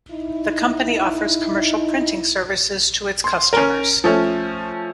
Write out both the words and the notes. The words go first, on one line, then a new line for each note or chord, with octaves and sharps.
The company offers commercial printing services to its customers.
D#4 E4
C6
C#4 A#4
F3 A3 C#4